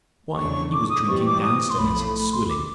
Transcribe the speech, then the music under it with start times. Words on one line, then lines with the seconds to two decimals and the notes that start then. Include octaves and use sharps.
Why, he was drinking downstairs--swilling.
0.37 E2 C#3 F#3 A3 D4 C#6
0.73 D6
0.90 D#6
1.08 A2 E3 G3 C4 C#6
1.26 D6
1.43 D#6
1.70 C6
1.78 B1 A2 F3 A3 B5
2.14 B5
2.32 C6
2.49 D6